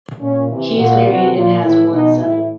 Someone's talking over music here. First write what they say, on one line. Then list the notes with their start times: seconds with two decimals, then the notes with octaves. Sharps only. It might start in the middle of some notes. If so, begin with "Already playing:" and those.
He is married, and has one son.
0.20 A#2 C#4
0.49 C3 E3
0.77 A#2 F#4
1.06 C3 E3 F#4
1.35 A#2 F4
1.63 A2 E3 E4
1.92 B2 D#4
2.21 A2 E3 E4